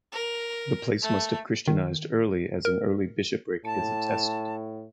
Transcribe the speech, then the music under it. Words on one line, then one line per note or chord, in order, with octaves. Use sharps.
The place must have Christianised early as an early bishopric is attested.
A#4
A3
D#3
A#4
A2 A5